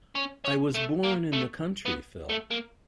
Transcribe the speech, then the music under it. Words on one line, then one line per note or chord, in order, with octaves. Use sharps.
I was born in the country, Phil.
C#4
C#4
A3
A#3
A3
B3
A3
A#3